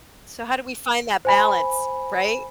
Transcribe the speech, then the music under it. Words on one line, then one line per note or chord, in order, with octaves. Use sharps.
So how do we find that balance, right?
C5 G#5 B5